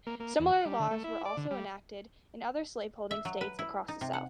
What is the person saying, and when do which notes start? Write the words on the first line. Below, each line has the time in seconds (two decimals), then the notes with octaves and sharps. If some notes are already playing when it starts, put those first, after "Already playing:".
Similar laws were also enacted in other slave-holding states across the South.
0.07 A#3
0.20 A#3
0.40 E2
0.53 F#5
0.66 G3
0.79 D3
0.91 A3
1.04 E4
1.25 D5
1.37 D3
1.51 G3
3.11 E5
3.25 F#3
3.41 B4
3.59 E4
3.88 D#4
4.01 C3
4.13 F#5